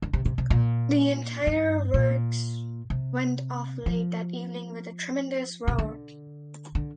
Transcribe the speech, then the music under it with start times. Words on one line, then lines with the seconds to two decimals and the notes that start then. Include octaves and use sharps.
The entire works went off late that evening with a tremendous roar.
0.02 D3
0.13 C3
0.25 C3
0.38 C3
0.50 A#2
1.47 G2
1.94 A#2
2.90 C3
3.86 F3
5.67 C3
5.78 D3
6.75 D3